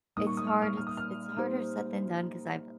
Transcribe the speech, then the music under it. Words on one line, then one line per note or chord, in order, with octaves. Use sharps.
it's hard it's it's harder said than done 'cause I've
A#2 G3 A#3 D#4 A#4 D#6
C#6
D#6
F6
F6
F6
D#6
F6
A#3 D#4 G4 C5